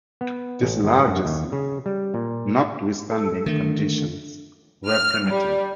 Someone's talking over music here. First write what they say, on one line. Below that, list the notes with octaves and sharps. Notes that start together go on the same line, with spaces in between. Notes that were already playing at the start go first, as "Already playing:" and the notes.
This largesse notwithstanding, conditions were primitive.
B3
A1
G1
F#2
D#2
C#3
G3
A#2
A4
D3 D#3 A3
F6
G3